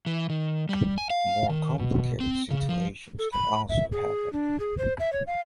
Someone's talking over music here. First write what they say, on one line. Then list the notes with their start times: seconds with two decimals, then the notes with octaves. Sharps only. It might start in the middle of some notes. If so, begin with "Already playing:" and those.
More complicated situations can also happen.
0.06 E3
0.30 D#3
0.69 G3
0.98 G#5
1.10 F5
1.50 D#3
1.79 B2
2.20 C4
2.51 C#3
2.69 F3
3.19 A4
3.32 B5
3.69 E5
3.92 G#4
4.33 D4
4.60 G#4
4.78 C5
5.00 E5
5.13 C#5
5.27 F5